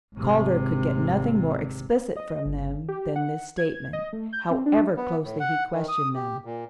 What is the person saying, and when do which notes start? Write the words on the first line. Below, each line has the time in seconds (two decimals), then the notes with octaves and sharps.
Calder could get nothing more explicit from them than this statement, however closely he questioned them.
0.14 G#1 C3
2.16 D#5
2.45 G1
2.88 G4
3.16 F#5
3.58 G#6
3.93 D#5
4.13 A3
4.33 G6
4.51 C4
4.66 D4
4.97 B3
5.25 A2
5.40 F#5
5.73 D#3
5.88 D#6
6.14 G4
6.45 A#2